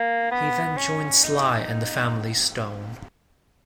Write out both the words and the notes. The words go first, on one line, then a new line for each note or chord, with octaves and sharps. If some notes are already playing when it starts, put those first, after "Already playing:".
He then joined Sly and The Family Stone.
Already playing: A#3
B3
C#4
D#4